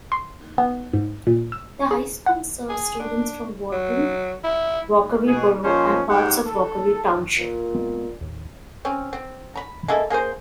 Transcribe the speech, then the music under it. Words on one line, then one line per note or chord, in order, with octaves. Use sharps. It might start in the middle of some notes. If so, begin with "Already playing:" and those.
The high school serves students from Wharton, Rockaway Borough and parts of Rockaway Township.
C6
B3
G#2
A#2
E6
G#4
F#5
G#4
D4
F#3
E4
B2 G#4
A#2 F3 C#4 D#4 C5 C#5
G#2 G4 F#5 G5
A4
A#2
G#3 B3 C4
D#2 A2
C4 C#4
C4
A#5 B5
G#3 A#3 E4 A4
A#3 G#4 A#4 C5